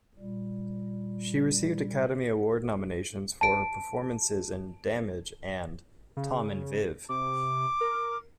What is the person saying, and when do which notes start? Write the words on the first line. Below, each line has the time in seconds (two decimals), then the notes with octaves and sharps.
She received Academy Award nominations for her performances in "Damage" and "Tom and Viv".
0.20 A#2 G3
3.41 A5 D7
6.17 C#3
7.09 C3 D6
7.81 A#4